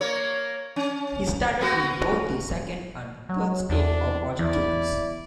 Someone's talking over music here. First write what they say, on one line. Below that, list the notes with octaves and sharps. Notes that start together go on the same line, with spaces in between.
He started in both the second and third State of Origin games.
A#3 C#5
C#4
A#3 B3 F#4
F#3
E2 C3 D4
E2 E4 D5